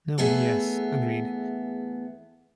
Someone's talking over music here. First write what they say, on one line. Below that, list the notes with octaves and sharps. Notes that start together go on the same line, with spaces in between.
No. Yes. Agreed.
E2 A3 B3 G#4 E5